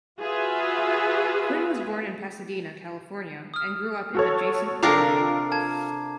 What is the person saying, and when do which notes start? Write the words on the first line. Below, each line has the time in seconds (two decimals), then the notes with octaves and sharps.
Quinn was born in Pasadena, California, and grew up in adjacent Glendale.
0.20 F4 F#4 G#4 B4 E5
3.54 D#6 F6
4.15 F#4 A4 C#5
4.83 C3 D4 F4 A4 A#4 A#5 D6 C7
5.52 A5 G#6